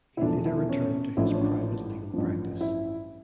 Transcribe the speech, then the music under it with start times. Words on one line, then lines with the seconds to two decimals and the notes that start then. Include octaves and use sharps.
He later returned to his private legal practice.
0.17 E4
0.21 E1 E2 D3 F3 D4
0.45 E4
0.69 C#4
1.17 A1 A2 F3 E4
1.26 D4
1.33 C#4
1.41 D4
2.13 A1 G2 F3
2.61 E4